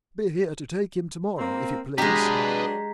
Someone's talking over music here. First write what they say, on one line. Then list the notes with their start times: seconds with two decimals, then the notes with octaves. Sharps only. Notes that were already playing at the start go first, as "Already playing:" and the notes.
Be here to take him to-morrow, if you please.
1.38 A#3 C4
1.98 F#3 G#3 D4 G4 B4 D#5 A#5 B6